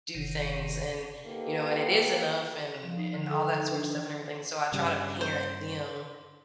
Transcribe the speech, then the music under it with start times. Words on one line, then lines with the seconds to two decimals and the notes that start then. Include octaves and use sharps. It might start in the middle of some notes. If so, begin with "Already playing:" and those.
do things and you know, and it is enough," and and all that sort of stuff and everything, so I try to parent them
0.15 F#1 C3 D#3
1.26 A#3 B3 D#4 G4 A4 B4
2.83 F3
2.97 D#4
3.14 D3
3.30 A4
3.44 G5
3.58 D#4
3.70 D4
3.84 E3
4.72 G2 C#3 G3
5.21 C5